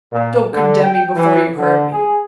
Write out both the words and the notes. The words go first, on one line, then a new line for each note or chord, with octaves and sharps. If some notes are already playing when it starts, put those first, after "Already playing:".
Don't condemn me before you've heard me.
A#2
D3
G5
E3
D3
G#4